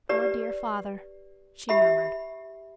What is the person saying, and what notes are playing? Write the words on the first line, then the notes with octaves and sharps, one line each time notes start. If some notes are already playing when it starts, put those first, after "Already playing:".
"Poor, dear father," she murmured.
G4 B4 D5
G4 E5 B5